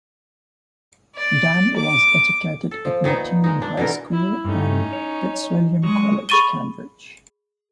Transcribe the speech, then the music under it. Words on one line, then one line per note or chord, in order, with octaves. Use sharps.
Dann was educated at Nottingham High School and Fitzwilliam College, Cambridge.
D5
D6
A4
F3
A#2 D#3 B3 D#4
G#3 D#4
D4
B2 D3 E3 A#4
E4
G2 A3 C#4 D#4
C#5
F#3 G#3 C#6 D#6
G#4 B5 C#6 A6 D#7 G7